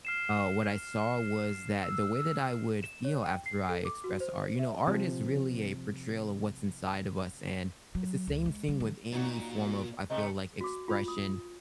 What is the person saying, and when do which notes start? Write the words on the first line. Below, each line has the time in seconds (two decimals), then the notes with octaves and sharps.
uh, what I saw was that the way that I would feel after I express art you know, art is really a portrayal of what's inside of us, and it's the same thing with any form of, I feel like, expression.
0.05 F6 C7 E7
1.83 E6
2.83 E7
3.05 C#5
3.24 G5
3.46 C7
3.69 A4
3.85 D6
4.04 F#4
4.20 C5
4.59 E5
4.88 C3 F3
7.95 F#3
8.27 C#2
8.46 G#3
8.68 G3
8.80 D3
9.12 A#2 F#3 D#4 F#4
10.10 C3 A3 D#5
10.61 F#4 D6
10.88 F4 B5
11.08 D#6